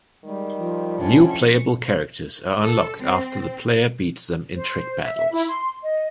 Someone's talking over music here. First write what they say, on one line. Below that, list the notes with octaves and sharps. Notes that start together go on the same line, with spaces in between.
New playable characters are unlocked after the player beats them in trick battles.
D#3 G3 G#3
F3
A2 C#4 D4
C#6
A4
C4
C5
E5
E5
E4
C6
D#5